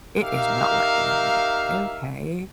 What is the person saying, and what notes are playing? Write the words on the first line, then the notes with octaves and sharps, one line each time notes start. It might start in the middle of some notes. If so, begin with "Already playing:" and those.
"It is not working," I'm like, "Okay,"
D#4 G4 A#4 E5 F5